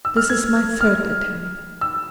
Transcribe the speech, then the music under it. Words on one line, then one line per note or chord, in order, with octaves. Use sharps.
This is my third attempt.
E6
F6
G#6
F6
E6